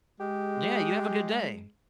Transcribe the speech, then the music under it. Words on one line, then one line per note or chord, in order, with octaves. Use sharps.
Yeah, you have a good day.
G#3 G4